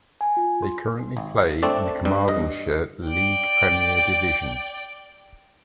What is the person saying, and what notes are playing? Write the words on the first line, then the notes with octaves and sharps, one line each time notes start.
They currently play in the Carmarthenshire League Premier Division.
G#5
F4
C6
G#1
A3 C4 D4 D5
G2 G3
G2 D#5
D5 G5